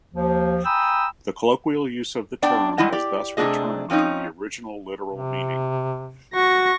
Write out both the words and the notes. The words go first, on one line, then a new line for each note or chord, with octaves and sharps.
The colloquial use of the term has thus returned to the original literal meaning.
D#2 F3
G5 G#5 A#5 B5 D#6 E6
B3 D4 D5 G5
G3 G#3 E4 D#5 F#5
G4 D5
C3 A3 C#4 D4 G#4 D#5
F3 C4 C#4 D#4
C3
F#4 C#6 A#6